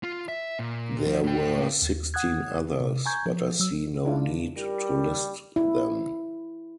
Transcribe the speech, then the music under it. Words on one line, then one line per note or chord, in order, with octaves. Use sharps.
There were sixteen others, but I see no need to list them.
F4
E5
A#2
F2 F3
A2 G5
D#2
F#5 D#6 F#6 G#6
C3
G#5 A#5 C#6 G6 G#6
F3
F#3 E6
D4 E4 F4
G3 G4 A#4
E4